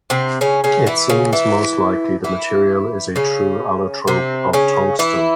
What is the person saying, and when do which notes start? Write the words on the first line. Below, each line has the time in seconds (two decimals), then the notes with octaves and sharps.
It seems most likely the material is a true allotrope of tungsten.
0.10 C3 C4
0.41 C#3 C#4
0.64 C#3 C#4
0.87 E3 E4
1.09 C#3 C#4
1.33 E3 E4
2.24 E3 E4
3.16 C#3 C#4
4.07 C3 C4
4.53 C#3 C#4
4.99 E3 E4